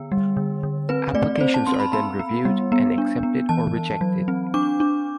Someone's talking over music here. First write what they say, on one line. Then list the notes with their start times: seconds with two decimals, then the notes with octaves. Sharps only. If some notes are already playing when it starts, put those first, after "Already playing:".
Applications are then reviewed and accepted or rejected.
Already playing: D3 B3
0.12 G3
0.37 D3
0.63 D3
0.89 C4 B4
1.15 A3 D5
1.36 D5
1.41 C4 C5
1.54 A5
1.67 C4 C6
1.80 B5
1.93 B3 B5
2.19 B3
2.45 G3
2.72 B3
2.98 D4
3.23 B3
3.49 E3 A5
3.76 E3
4.01 F#3
4.28 C4
4.54 D4 D6
4.80 D4